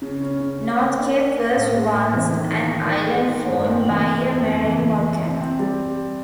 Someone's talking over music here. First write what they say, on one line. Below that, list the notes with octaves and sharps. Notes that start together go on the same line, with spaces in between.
North Cape was once an island formed by a marine volcano.
C#3
C#4
C#3
C#3
A#3
D4
D4
A#3
A2
G#3
A2
E3
D#3
D#3
D#3
D#3
G#3
D#3
G2
C4
E3
C3
F2
F2
E3
E3
C3
C3
C4
G3